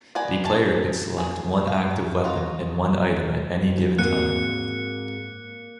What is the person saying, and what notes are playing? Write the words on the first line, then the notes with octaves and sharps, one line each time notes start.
The player could select one active weapon and one item at any given time.
B3 A#4 D5 G#5
G#5 A5
G#4
F5
D#4 F4 F#4
G#2 A#3 C4 F#4 F#6 C#7